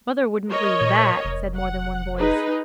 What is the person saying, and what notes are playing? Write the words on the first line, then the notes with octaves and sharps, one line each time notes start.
'Mother wouldn't believe THAT,' said more than one voice.
A#4 C#5 D#5
A#2
F1
F#5
D#4 G#4 B4